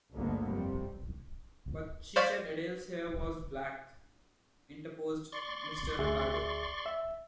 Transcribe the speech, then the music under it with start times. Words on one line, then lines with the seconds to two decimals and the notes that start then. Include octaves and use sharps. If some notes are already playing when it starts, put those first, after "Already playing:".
"But she said Adele's hair was black," interposed Mr. Ricardo.
0.13 G1 D2 D3 G#3 A#3 B3
0.48 F2 C3 G3
2.16 C5 D5 F5 C#6 G#6 B6
5.32 D5 C6 C#6
5.99 D2 G#4 E5
6.86 E5